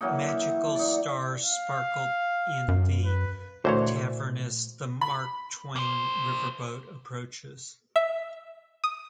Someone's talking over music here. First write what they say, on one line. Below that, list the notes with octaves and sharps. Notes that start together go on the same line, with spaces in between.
Magical stars sparkle in the tavern as the "Mark Twain" Riverboat approaches.
E3 F#3 A#3 D#4
D#4 D5
F5
F#2
B4
D2 A#2 E3 A3 C5 C#5
B5
A#3 C5
E5
D#6